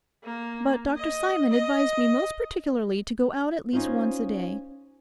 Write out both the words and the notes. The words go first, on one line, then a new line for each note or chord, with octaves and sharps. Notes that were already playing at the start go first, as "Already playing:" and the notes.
But Dr Simon advised me most particularly to go out at least once a day.
A#3
D#5
D#5
C#4 D#4 F4 C5